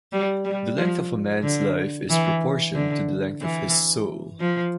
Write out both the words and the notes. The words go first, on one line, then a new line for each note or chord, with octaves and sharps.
The length of a man's life is proportioned to the length of his soul.
G3
G3
F3
D3
E3
D3
E3
F3